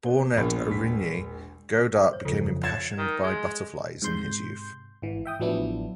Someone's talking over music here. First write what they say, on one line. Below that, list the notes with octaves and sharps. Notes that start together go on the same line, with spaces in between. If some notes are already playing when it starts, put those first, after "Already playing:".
Born at Origny, Godart became impassioned by butterflies in his youth.
B3 C5 G7
A#1 B2 F3 A#3
E1 B6
C5 C#5
F2 C#3 E3 F4 A4
C#5 F#5 G#6 A6 E7
D#3
G#3
G#2 C3 C6 G6
G#1 E3
E5 G5 D#6
A1 F3 F#3 B3 D4 E4